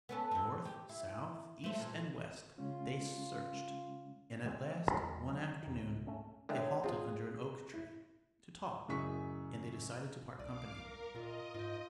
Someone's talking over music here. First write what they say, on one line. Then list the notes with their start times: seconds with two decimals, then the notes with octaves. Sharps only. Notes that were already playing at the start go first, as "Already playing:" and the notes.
North, south, east, and west, they searched; and at last, one afternoon, they halted under an oak tree, to talk, and they decided to part company.
0.09 B3 C#4 A4
0.31 D#2 C4
0.65 G4
0.89 E4
1.64 A3 C5
1.80 A#2
2.58 C#3 G#3 C#4 F4
4.45 D3 G#3 B3 C4
4.86 E2 G2 G3 G#3
5.27 F#3 G#3
5.63 E2 D#3
5.75 C#2
6.07 G#2 A3 C#4
6.49 D3 G#3 A3 C#5 D5 G5
6.84 C4 F4 G#4
7.73 E4
8.88 A1 F#2 C#3 G#4 C#6 B6
10.39 C2 D5 F5 D6
10.73 A#4
11.15 A#2 F4 A#4 D#5
11.54 G#2 F4 G5